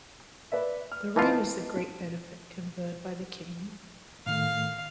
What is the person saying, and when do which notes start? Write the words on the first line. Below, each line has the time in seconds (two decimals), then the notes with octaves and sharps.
The rain is the great benefit conferred by the king.
0.52 B4 D5 E5
0.92 F6
1.16 E3 D#4 F4 D#5 A5
4.26 A2 D#3 A3 F5